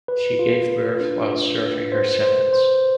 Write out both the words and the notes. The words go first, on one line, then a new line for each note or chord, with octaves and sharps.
She gave birth while serving her sentence.
B4
F4
B4
D4
F4
B4
C5
C5
C5